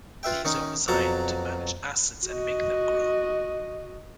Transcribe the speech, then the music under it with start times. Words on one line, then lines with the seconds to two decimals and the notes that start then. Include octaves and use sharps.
These are designed to manage assets and make them grow.
0.23 F4 B4 E5 G5
0.45 D#3 C#4 D#4
0.88 F2 B2 F#3 F#5 A5 A#5
2.27 F#4 D#5